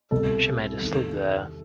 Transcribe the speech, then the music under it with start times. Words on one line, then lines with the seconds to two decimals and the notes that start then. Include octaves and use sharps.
She made a slip there.
0.11 C2 B2 A4
0.81 E2 D#3